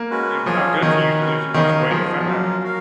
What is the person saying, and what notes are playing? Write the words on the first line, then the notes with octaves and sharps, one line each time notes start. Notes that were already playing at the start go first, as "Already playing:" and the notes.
you know, it's not good for you to lose a bunch of weight at f at,
Already playing: A#3
G#3 C#4 F#4 B4
F3 A#3 C#4 G#4 C#5 G#5
D#3 F#4 A#4 C#5 G#5
C#4 F#4 B4
D#3 D#4 A#4 C#5 F5 G#5
F3 B3 D#4 G#4
F3
F#3 A#3 C#4 F4
F#4 A#4 F5